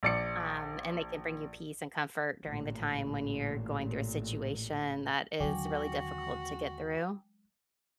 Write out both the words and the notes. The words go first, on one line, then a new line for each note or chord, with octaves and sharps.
um, and they can bring you peace and comfort during the time when you're going through a situation that is really difficult to get through.
A#1 D5 C#7
A1 A#2
D#2 D3 F#3 G#3 F#4 G5 G#5 D6